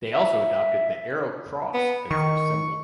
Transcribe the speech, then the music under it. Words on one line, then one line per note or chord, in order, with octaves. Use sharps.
They also adopted the Arrow Cross as their symbol.
E5
B3
D#3 C#6